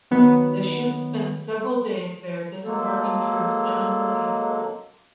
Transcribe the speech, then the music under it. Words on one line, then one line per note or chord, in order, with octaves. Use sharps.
The ship spent several days there disembarking troops and unloading equipment.
D#3 F#3 B3
F#3 G#3 A#3 A4